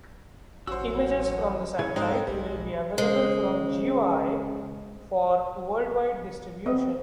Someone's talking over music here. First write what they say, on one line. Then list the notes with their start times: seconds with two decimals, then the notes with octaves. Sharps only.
Images from the satellite will be available from GeoEye for worldwide distribution.
0.67 A1 F#3 C#4 F#4 C5 E6
1.79 F#3 C#4 E4 G#4 G#6
1.96 G#2 G#3 C4 D#4 A4 G5
2.27 B1 G3 G#3 C4
2.98 C#3 G#3 C5
6.66 B3 C4 D#5 E5